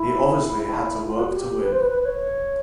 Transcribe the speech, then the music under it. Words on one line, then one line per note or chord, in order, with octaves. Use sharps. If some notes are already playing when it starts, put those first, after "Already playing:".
He obviously had to work to win.
Already playing: E4
E4
E4
F4
F#4
G4
B4
C5
B4
B4
C#5